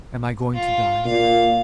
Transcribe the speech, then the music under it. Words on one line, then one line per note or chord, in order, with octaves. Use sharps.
Am I going to die?
F4
A#2 F5